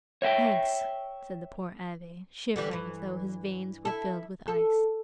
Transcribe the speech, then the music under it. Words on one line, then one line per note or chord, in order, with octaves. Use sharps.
"Thanks," said the poor abbe, shivering as though his veins were filled with ice.
C#5 E5 F#5 G5
D3 E3 G3
G2 E3
E4 A4
A4